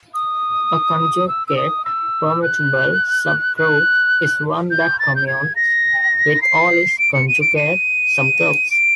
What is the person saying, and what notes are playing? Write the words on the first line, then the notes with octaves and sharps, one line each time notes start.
A conjugate permutable subgroup is one that commutes with all its conjugate subgroups.
D#6
E6
E6
D#6
E6
F#6
F#6
G6
A6
G6
G#6
A#6
C7
D7
C#7
D#7
D7
D#7
D7